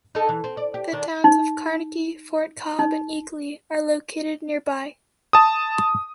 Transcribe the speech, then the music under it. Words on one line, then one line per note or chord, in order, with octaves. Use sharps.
The towns of Carnegie, Fort Cobb, and Eakly are located nearby.
D#4 A4
E3
C4
D5
G4
D#3 D4
D#4
D#4
A5 D#6